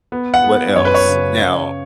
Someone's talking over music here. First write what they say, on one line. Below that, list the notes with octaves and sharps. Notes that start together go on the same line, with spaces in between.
what else? Now,
B3
F#5
B3
F#2 C#5
B4
C#5
C#3
C#3